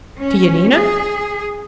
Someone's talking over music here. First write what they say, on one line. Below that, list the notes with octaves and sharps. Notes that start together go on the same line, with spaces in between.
"To Yanina?"
C#4
G#4